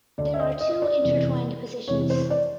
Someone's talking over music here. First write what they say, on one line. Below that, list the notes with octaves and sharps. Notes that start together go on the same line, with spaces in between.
There are two intertwined positions.
D2 D3 D5
E5
D#5
D#5
D#5
D5
F1 E2 C3 E3
F1 E2 C3 E3 C#5
C5
D5